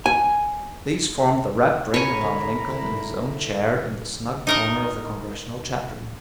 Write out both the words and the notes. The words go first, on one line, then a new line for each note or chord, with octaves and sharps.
These formed the rapt ring around Lincoln in his own chair in the snug corner of the congressional chat-room.
G#5
C#3 A#4 C#5 G#5 B5
D2 D3
D2 D3 E4
D#4 A#4 D#5